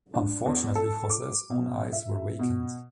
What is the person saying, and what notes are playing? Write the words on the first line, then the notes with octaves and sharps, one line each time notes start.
Unfortunately, Jose's own eyes were vacant.
D4
E2
A4
D6
B2
E5
B2